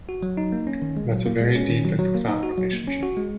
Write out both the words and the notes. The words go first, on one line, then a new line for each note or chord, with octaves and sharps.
That's a very deep and profound relationship.
F#4
F#3
D#4
A#3
C#4
D#3
G#3
F#3
A#3
G#3
C#4
D#3
F#3
F#3
A#3
D#4
F#4
F#3
A#3
C#4
F#4
G#3